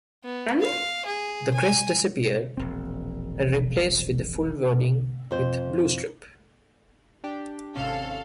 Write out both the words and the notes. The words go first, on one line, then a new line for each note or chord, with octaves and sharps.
The crest disappeared and replaced with the full wording with blue strip.
B3
F5
G#4
G#5
E1 A#1 C4
F2 C5
D4 G4
G#1 C3 C#4 A4 F5